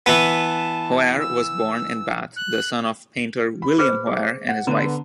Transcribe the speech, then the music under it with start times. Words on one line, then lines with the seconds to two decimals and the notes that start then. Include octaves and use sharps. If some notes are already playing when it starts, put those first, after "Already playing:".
Hoare was born in Bath, the son of painter William Hoare and his wife.
0.06 E3 B3 A5
1.20 E6
2.36 F#6
3.62 B5
3.79 G#4 B4 C5
4.07 G#4
4.48 F#5
4.67 D3 B3 A5 A#5